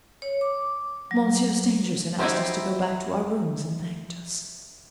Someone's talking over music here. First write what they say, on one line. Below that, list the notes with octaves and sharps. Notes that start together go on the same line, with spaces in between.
Monsieur Stangerson asked us to go back to our rooms and thanked us.
C#5
D6
F#3
D#4 E4 F#4 G4 C5